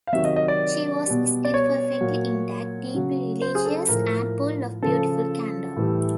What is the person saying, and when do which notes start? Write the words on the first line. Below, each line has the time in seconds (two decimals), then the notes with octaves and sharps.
She was still perfectly intact, deeply religious, and full of beautiful candour.
0.07 F5
0.13 C3 D#3 F#3 E5
0.25 D#5
0.36 D#5
0.48 D5
1.07 B2 G3
1.45 D5
1.54 C#5
2.01 A#2 F#3
2.94 C#3 F#3
3.42 C5
3.55 G#4
3.65 A4
3.89 A2 F3 A#4
4.83 C#3 F3 A4
5.76 A2 E3 G3